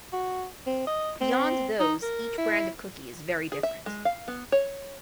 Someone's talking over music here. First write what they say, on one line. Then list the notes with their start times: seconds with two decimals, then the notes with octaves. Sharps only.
Beyond those, each brand of cookie is very different.
0.13 F#4
0.66 C4
0.87 D#5
1.21 C4
1.80 D#4
2.03 A#4
2.38 E4
3.52 G#4
3.63 E5
3.86 G#3
4.05 F5
4.28 B3
4.52 C#5